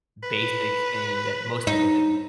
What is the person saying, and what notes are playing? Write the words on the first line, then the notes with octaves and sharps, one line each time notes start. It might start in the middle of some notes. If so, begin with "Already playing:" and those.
basic thing that most people do
B4
D#4